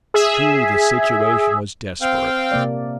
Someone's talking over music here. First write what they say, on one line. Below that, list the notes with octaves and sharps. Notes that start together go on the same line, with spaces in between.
Truly the situation was desperate.
G#4 E5
C4 F5 G5
C3 A#3 D5